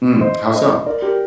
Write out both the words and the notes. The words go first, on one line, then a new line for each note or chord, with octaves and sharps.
Hmm, how so?
C5 D#5
C5 D#5
A#4 D5
G4 A#4